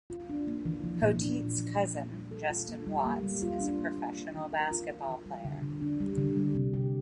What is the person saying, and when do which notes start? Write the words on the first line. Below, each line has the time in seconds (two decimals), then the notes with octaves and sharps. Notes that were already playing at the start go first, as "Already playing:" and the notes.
Poteat's cousin, Justin Watts, is professional basketball player.
0.10 F4
0.30 D4
0.47 A#3
0.65 E3
0.84 F3
1.02 A#2
1.21 D4
1.40 A#3
1.58 F3
1.76 A#2
1.95 A#3
2.13 G3
2.31 A4
2.50 F4
2.68 A#3
2.86 G3
3.05 A#3
3.23 G3
3.42 F4
3.60 D4
3.79 A#3
3.98 G3
4.16 A#3
4.34 E3
4.53 A#4
4.71 F4
4.90 A#3
5.07 E3
5.26 G3
5.45 D3
5.62 D3
5.81 D4
6.00 G3
6.18 D3
6.37 G3
6.55 C3
6.73 G4